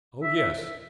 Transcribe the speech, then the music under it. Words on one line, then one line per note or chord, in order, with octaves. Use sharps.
Oh, yes.
E5
E5